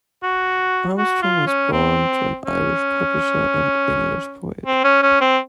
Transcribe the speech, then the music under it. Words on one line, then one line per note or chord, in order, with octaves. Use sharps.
Armstrong was born to an Irish publisher and English poet.
F#4
F#4
F4
C#4
C4
C#4
C4
C#4
C#4
C4